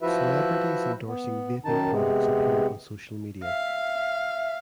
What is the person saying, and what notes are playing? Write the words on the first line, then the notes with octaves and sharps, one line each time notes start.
Celebrities endorsing vaping products appear on social media.
F3 E4 F#4 B4 E5
B3
F#2 D#3 D#4 A5
C3 G#3 B3
E5 F5